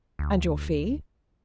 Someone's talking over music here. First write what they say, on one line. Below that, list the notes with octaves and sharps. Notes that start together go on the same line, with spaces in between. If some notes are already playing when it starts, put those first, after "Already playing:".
"And your fee?"
D2